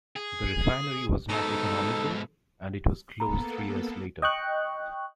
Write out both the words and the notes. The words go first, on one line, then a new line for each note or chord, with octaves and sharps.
The refinery was not economical, and it was closed three years later.
G#4
G#2 B2 D#4 A4
A#3 B3 A4 A#5 B5
D#5 G5 C#6 F#6